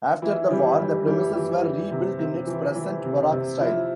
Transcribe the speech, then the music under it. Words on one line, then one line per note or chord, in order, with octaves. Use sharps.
After the war the premises were rebuilt in its present Baroque style.
E3 E4
E3 G3
E3 G3
E3 G3
E3
E3
C3
C3
E3
E3
C3
C3
F3 E4